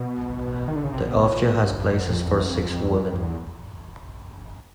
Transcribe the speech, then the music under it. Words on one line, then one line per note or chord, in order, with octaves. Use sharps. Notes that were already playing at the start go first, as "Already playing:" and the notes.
The hofje has places for six women.
Already playing: B2
D#3
D3
C#3
C3
B2
A#2
G2
G2
F#2
F2
E2
F#2
F2
F2
E2
F2
F#2
F2
E2